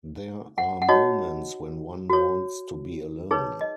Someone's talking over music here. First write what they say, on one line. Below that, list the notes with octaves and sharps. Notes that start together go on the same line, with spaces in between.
There are moments when one wants to be alone.
F#5
F#5
D#4 F#4 C#5 D#5
F#4 C#5
D#4 G#4 B4 C#5
D#5